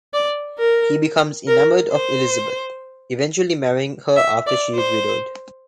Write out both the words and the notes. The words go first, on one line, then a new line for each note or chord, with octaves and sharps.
He becomes enamoured of Elizabeth, eventually marrying her after she is widowed.
D5
A#4
A#4
C5
E5
D5
C5